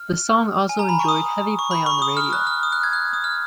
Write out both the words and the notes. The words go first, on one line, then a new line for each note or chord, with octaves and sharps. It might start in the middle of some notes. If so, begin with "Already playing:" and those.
The song also enjoyed heavy play on the radio.
Already playing: F6
G#5
A#5
B5
C#6
D#6
C#6
B5
C#6
D#6
F6
F#6
F6
D#6
F#6
G#6
F#6
D#6
F6